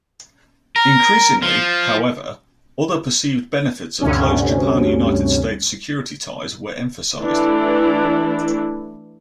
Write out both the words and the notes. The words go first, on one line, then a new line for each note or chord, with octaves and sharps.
Increasingly, however, other perceived benefits of close Japan- United States security ties were emphasized.
A#4
F3
D2 G2 C3 C#4
E3 A3 D4 E4